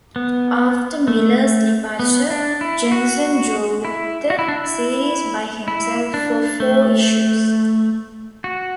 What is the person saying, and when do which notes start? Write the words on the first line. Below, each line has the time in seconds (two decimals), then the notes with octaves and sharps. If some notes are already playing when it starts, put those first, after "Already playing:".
After Miller's departure, Janson drew the series by himself for four issues.
0.16 B3
1.08 A3
1.99 B3
2.30 D4
2.61 E4
2.92 F#4
3.85 E4
4.30 F#4
4.39 E4
4.48 D4
4.57 E4
5.68 E4
6.14 D4
6.60 A3
8.44 F#4